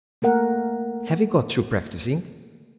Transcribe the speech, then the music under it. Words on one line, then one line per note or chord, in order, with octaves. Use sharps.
Have you got through practising?
A3 A#3 A#4 F#5